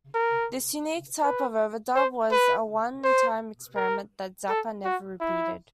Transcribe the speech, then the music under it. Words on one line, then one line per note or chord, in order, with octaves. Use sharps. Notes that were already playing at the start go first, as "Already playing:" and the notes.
This unique type of overdub was a one-time experiment that Zappa never repeated.
A#4
B4
C5
B4
C5
A#4
A4
F#4
E4